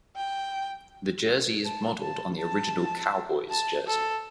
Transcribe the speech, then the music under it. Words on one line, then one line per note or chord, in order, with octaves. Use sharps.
The jersey is modelled on the original Cowboys jersey.
G5
A5
A5
A5
A5
A4